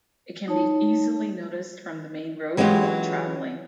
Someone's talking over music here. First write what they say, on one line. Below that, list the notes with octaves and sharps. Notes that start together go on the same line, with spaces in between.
It can be easily noticed from the main road while traveling.
D#4 C#5 A5
E3 F#3 G#3 C#4 F4 G4